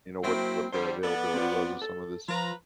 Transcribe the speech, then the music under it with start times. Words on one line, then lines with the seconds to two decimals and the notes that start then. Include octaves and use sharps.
you know, what what the availability was of some of this.
0.23 F#3 A#3 C4 E4
0.72 D3 G3 C5
1.03 B3 A4 D5
1.34 C4 F4
1.82 A4
2.28 F3 F4 B4 A#5